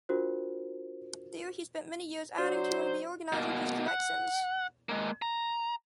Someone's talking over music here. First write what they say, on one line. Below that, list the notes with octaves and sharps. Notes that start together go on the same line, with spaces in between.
There he spent many years adding to and reorganizing his collections.
D4 F4 F#4 A#4 C5
F#3 D4 F#4 C5 D5
B2 A#3
F#5
G#3 A#3
A#5